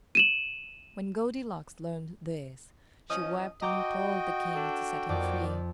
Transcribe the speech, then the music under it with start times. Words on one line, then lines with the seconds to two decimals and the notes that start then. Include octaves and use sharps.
When Goldilocks learned this, she wept and implored the King to set him free.
0.15 D#7 E7 F#7
3.10 F3 C#4 D#5 D#6
3.62 F#4 D#5 G5 A#5 D6 G6
4.55 D4 A4
5.09 F2 A#3 D#4 D5